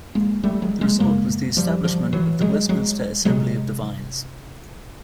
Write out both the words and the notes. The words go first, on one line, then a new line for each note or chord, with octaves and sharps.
The result was the establishment of the Westminster Assembly of Divines.
G#3 A#3
G3 A3
F#3 G#3
G#3 A#3
F#2 C#3 G#3 A#3
F3 G3
F3 G3
E3 F#3
F#3 G#3
F#3 G#3
C3 F#3 G#3